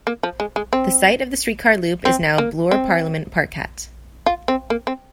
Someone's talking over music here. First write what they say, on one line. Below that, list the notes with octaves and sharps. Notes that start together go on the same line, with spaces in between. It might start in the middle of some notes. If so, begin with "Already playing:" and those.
The site of the steetcar loop is now Bloor - Parliament Parkette.
A#3
F3
G#3
G#3
C4
C4
A#3
C4
F4
C4
A#3
C4